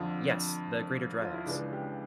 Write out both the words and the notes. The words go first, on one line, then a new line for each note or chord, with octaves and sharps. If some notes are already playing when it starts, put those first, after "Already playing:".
Yes, the Greater Dryas.
Already playing: F2 D3 F4
F4
E4
C#2 C#3 E3 D4
G4